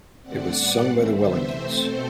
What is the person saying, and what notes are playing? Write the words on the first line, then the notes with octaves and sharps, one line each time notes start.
It was sung by The Wellingtons.
D3 A3 C4 D5 F#5
A2 G3 B3
E3 A3 C4
D3 G3 B3 C5 E5
C3 E3 A3 C4 C5 E5
B2 A3 C4 A4 C5